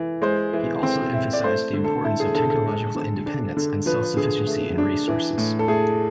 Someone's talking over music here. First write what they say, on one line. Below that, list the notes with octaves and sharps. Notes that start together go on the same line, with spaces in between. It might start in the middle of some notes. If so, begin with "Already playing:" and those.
He also emphasized the importance of technological independence and self-sufficiency in resources.
Already playing: E3
G#3 C5
E3
C4
E4
D5
A3 C5
D3
A4
E4 A4
G#4
D3 A4
A4
G#3
D3
D4
D3
F3 B4
D3 G#4
A3
D4
E3
A2
A4
A3 G#4